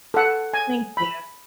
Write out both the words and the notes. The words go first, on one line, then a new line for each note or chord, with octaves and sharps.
Thank you.
A4 F#5
G#5
B5